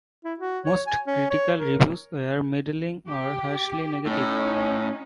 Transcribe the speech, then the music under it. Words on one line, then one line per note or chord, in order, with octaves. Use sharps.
Most critical reviews were middling or harshly negative.
E4
F#4
C#5
G#5
C#4
C#5
A#4
G4
A2 C#4 D#4